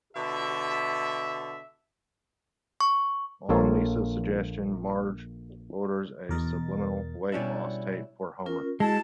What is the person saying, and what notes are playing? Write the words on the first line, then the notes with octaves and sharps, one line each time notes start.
On Lisa's suggestion, Marge orders a subliminal weight loss tape for Homer.
B2 D3 E5
C#6
A#1 A#3 F4 A4 C#5 F5
E2 B2 A#4 D#5 A6
B2 G3 C#4 D4 E4
C#4 F4 A#4
G#3 E4 F#4 G#4 A5